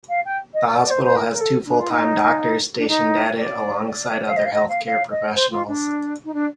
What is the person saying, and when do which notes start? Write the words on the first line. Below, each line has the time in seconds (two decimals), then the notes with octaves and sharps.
The hospital has two full-time doctors stationed at it, alongside other healthcare professionals.
0.09 F5
0.25 G5
0.54 D#5
0.66 D5
0.78 D5
0.90 C5
1.04 C5
1.15 A#4
1.32 A#4
1.40 A4
1.65 D4
1.79 F4
1.90 D#4
2.77 D4
2.88 D#4
3.37 D5
3.87 D5
4.11 D5
4.29 F5
4.36 D#5
4.45 F5
4.52 D#5
4.68 F5
4.85 F5
5.10 D#5
5.34 C5
5.51 F4
5.67 D4
6.24 D#4
6.33 D4